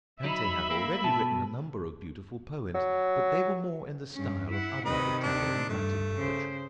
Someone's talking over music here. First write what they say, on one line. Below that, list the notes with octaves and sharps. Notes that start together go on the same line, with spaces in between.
Dante had already written a number of beautiful poems, but they were more in the style of other Italian and Latin poetry.
F#3 D#4 E5 B5
A#3
B2 A5
F#3
G2 C#4
E4 F#5
C3 D#3 B4 D#5
D4
G2 A3
C#3 C5